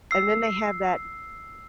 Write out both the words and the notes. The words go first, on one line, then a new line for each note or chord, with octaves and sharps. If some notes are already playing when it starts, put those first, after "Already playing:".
and then they have that
E6 C7